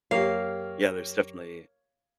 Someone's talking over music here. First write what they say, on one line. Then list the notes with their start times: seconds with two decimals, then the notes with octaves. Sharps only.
Yeah, there's definitely
0.11 F#2 A#3 G4 C#5 F5